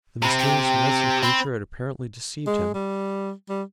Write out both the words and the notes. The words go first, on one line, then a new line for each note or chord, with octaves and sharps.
The mysterious Medicine Creatures had apparently deceived him.
C3 C4 B5
G5
C4 B5
G#3
G3
G3